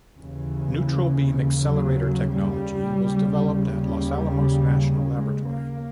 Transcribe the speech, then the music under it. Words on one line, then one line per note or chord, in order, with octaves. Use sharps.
Neutral beam accelerator technology was developed at Los Alamos National Laboratory.
D#2 C#3 E3
F#3
G3
D#2 C#3
G3
G#3
A#3